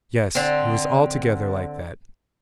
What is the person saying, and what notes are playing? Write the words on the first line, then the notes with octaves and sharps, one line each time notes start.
Yes, he was altogether like that.
D3 C4